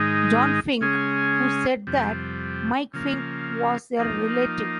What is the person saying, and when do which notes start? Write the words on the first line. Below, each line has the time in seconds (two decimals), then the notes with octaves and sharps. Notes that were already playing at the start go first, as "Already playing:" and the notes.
John Fink, who said that Mike Fink was a relative.
Already playing: G#2 D#3 G#3 D#4
0.81 C#3 G#3 C#4 G#4
1.87 F2 C3 G3
2.93 C#3 F3 A#3
3.99 F3 A#3 D#4